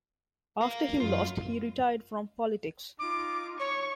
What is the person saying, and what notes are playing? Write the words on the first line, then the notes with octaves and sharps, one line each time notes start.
After he lost, he retired from politics.
A#4 F5
F#2 F4
D#4 F4 D6
C#5 C#6